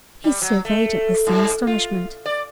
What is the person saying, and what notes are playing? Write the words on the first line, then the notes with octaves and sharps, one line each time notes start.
He surveyed it with some astonishment.
G3
F#3
A3
G#2
F4
D5